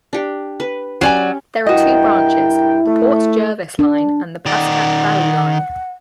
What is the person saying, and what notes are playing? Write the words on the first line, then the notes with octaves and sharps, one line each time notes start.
There are two branches: the Port Jervis Line and the Pascack Valley Line.
D4 G4
B4
F#3 C#4 G4 C#5 D5 G#5
G2 E4 F#4 A#4 D#5 G5
A3
D4
D#3 D5 F#5